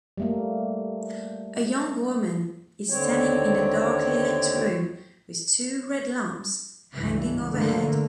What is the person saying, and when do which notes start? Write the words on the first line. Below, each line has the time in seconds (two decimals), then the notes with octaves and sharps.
A young woman is standing in a darklylit room with two red lamps hanging overhead.
0.18 G3 A3 A#3
2.90 D#2 D3 C4 C#5
6.95 C#2 G2 E3
7.52 D3 A3 A#3